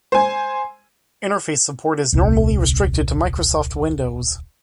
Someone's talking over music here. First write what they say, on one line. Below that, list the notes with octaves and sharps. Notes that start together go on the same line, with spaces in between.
Interface support is normally restricted to Microsoft Windows.
C5 G#5
D#1 C2